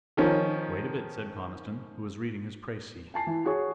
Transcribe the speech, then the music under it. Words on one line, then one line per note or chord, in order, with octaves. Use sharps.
"Wait a bit," said Conniston, who was reading his precis.
D#3 F3 C#4
G#5 A5 C7
E3
F#4 G#4 C#5 C#6